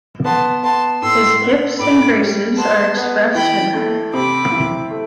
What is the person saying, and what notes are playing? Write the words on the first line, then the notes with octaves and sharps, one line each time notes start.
His gifts and graces are expressed in her.
B3 A5 C6
B3 A5 C6
A2 C6 E6
B3
A2 B5 D6
G3
B3 A5 C6
B3
E3 G5 B5
A3
C3 B5 D6
E4
A3